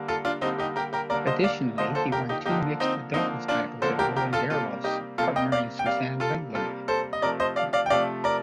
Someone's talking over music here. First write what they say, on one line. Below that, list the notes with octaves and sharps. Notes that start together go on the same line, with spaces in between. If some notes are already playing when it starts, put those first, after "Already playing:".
Additionally he won two mixed doubles titles at Roland Garros partnering Suzanne Lenglen.
Already playing: D3 G3 A#3
F4 A4
D4 F4
D3 G3 A#3 C4 D#4
D#4 G4
G4 A#4
G4 A#4
D3 G3 A#3 A#4 D5
C5 D#5
D5 F5
D3 F3 A#3 C5 D#5
A4 C5
G4 A#4
D#4 G4
D3 F3 A#3 D#4 G4
C4 D#4
D3 F3 A#3 C4 D#4
D4 F4
D3 F3 A#3 A4 C5
G4 A#4
G4 A#4
F4 A4
C3 G3 A#3 F4 A4
D#4 G4
C3 G3 A#3 F4 A4
D#5 G5
D5 F5
G5
C3 G3 A#3 D5 F5
F4 A4
C3 G3 A#3 F4 A4
A4 C5
D#5
C3 F3 A3 A#4 D5
C5 D#5
D5 F5
D5 F5
G5
C3 F3 A3 D5 F5
A#4 D5